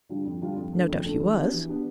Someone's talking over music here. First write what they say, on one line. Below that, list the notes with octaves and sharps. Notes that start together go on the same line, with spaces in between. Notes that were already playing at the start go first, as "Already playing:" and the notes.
"No doubt he was."
D3 G3 D4 F4
F2
D3 G3 D4 F4
F2
D3 A3
F2
D3 A3
E3
B3 D4 G4
E3
B3 D4 G4